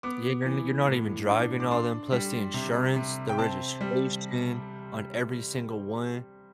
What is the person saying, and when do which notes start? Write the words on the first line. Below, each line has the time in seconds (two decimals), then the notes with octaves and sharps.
Yeah. You're no you're not even driving all them, plus the insurance, the registration on every single one,
0.03 B3 D6
0.45 E3
0.87 A2
1.29 D4
1.60 D6
1.71 D4 C6
2.12 G3
2.54 C3
2.96 C3
3.29 G5
3.38 C4 A5
3.81 G3